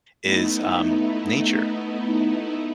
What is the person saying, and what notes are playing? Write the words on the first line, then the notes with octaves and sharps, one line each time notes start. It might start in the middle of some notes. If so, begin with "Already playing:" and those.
is, um, nature.
A3 B3 D#4 E4